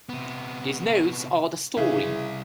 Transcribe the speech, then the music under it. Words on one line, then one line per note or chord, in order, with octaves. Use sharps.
These notes are the story.
C3 B3
C2 C#3 E3 E5